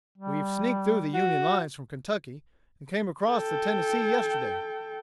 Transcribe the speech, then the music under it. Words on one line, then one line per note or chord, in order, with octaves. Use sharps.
We've sneaked through the Union lines from Kentucky, and came across the Tennessee yesterday.
G3
F#4
A4 G5